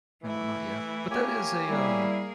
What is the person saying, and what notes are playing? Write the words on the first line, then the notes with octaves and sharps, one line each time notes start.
and whatnot, yeah, but that is a, um
E3 A3 E4
A#3 G4 C#5 G#5
G3 A#3 E4 G#4